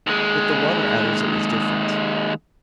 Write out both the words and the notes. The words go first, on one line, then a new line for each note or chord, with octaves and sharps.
With the Water-Adders it was different.
D#2 G#3